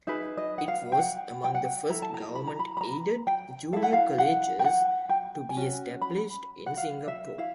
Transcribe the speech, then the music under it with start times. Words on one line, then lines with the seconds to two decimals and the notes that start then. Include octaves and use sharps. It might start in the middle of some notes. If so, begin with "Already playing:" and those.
It was among the first government-aided junior colleges to be established in Singapore.
0.07 D#4 G#4 B4 E5
0.37 D#5
0.58 F#5
0.68 F5
0.92 G5
0.99 F#5
1.44 G5
1.55 F#5
1.65 G5
1.90 E4 A4 A#5
2.02 A5
2.14 A#5
2.35 B5
2.47 A#5
2.59 B5
2.77 B5
2.81 A#5
3.27 G5
3.73 A4 F5
3.76 E4
3.83 F#5
3.93 F5
4.18 F#5
4.59 G5
4.64 F#5
5.09 G5
5.49 G#5
5.57 C#4 F#4
6.01 B5
6.66 F#5
6.77 F5
7.08 E5
7.38 E4 F5